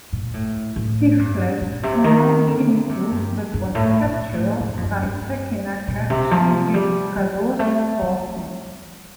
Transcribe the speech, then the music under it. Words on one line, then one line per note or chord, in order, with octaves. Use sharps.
He fled to Mount Ibuki, but was captured by Takenaka Shigekado's forces.
A#2
A2
A2
G2
A#2
C3
D#3
D3
C3
G2
G2
A2
A#2
A2
A2
G2
F2
G2
G2
A#2
C3
F3
G3
G3
A3
G3